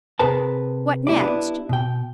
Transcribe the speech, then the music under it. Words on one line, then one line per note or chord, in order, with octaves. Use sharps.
"What next?"
C3 G#4 A#4 B4 A5
A3 E4 G4 D5
B3 D4 E4 G4 A4 B4
B2 G5